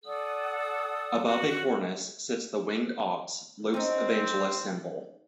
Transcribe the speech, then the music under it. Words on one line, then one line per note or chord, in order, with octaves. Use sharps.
Above a cornice sits the winged ox, Luke's evangelist's symbol.
A4 D5 F#5 D#6
F#4
C4 C#4 D#4